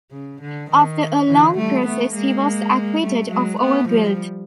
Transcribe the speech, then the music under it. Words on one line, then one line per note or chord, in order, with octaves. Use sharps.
After a long process he was acquitted of all guilt.
C#3
D3
D#3
D3 E3
G3 A3
A3 B3
G#3 A#3
G3 A3
F#3 G#3
A3 B3
F3 G3